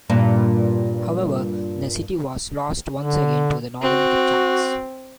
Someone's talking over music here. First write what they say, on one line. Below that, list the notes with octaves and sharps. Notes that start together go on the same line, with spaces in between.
However, the city was lost once again to the northern Kipchaks.
G2 A#2
D3
C4 F#4